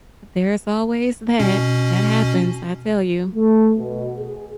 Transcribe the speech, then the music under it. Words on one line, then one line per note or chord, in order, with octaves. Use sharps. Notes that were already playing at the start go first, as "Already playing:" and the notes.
There's always that, that happens I tell you,
B2 C#4
A3
B2
G#4